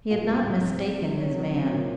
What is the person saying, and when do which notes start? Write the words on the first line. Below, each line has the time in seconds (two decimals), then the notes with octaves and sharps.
He had not mistaken his man.
0.10 A#2 F5
0.28 C2
0.46 C2
0.63 C4
0.81 F#3
0.99 C3
1.16 C3 C#5
1.34 F#3
1.52 C4
1.70 A#2